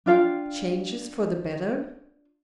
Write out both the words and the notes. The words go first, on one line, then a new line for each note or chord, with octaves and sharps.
"Changes for the better?"
D4 F4 F5 G5